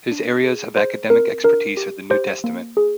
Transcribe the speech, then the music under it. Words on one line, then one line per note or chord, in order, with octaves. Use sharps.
His areas of academic expertise are the New Testament.
D4
G#4
G#4 C5
C4 A#4
D4 A#4
G4
G4 C5
A#3
G#4